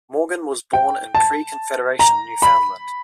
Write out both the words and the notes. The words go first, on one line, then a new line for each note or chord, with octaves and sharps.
Morgan was born in pre-Confederation Newfoundland.
G5
A5
A#5
B5